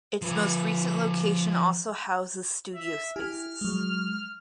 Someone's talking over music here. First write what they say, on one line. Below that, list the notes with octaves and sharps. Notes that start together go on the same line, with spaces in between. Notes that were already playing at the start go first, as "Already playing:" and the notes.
Its most recent location also houses studio spaces.
F3 B4
E5
E4 G4 G#5 F6
F#3 G#3